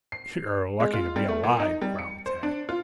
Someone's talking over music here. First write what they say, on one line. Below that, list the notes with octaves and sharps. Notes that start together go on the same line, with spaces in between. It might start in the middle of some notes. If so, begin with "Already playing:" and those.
"You're lucky to be alive," growled Tad.
C7
G#3
F4
G3
A3
A#2
D#4
G3
C#7
C5
D4
F4